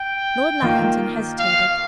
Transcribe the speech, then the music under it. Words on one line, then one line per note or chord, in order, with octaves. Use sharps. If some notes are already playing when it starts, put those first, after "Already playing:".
Lord Lackington hesitated.
Already playing: G5
D#3 A#3 F4
F5